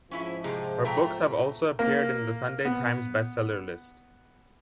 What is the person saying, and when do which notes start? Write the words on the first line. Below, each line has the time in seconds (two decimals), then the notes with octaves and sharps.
Her books have also appeared in the "Sunday Times" best-seller list.
0.11 G#2 F3 C#4 E4 E5
0.44 C3 G#3 G4
0.85 B2 A3 A4 E5 G5 A#5
1.79 A#3
2.65 B3